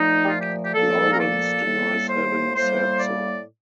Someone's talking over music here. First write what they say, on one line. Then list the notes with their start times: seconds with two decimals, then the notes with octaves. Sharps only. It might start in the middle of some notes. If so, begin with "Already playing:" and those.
Lawrence denies having said so.
Already playing: A#2 F3 A3 D#4
0.23 G4
0.29 F4
0.41 G4
0.65 G4
0.75 A#2 F3 A#3 A4
1.13 A#4
1.19 A4
1.64 A2 G3 A#3
2.09 C5
2.55 A2 G3 A#3 C5
3.00 D5